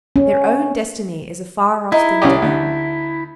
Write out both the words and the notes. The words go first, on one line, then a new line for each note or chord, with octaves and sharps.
Their own destiny is a far-off thing to them.
C#4
D#4 E4 G#4
C2 C#4 G4 D5 D#5
D2